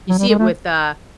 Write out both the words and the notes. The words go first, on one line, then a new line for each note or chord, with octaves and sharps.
You see it with uh,
F#3
G3
G#3
A3